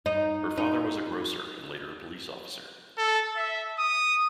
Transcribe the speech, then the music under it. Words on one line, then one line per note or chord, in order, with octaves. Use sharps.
Her father was a grocer and later a police officer.
D#4
D#4
A4
E5
D#6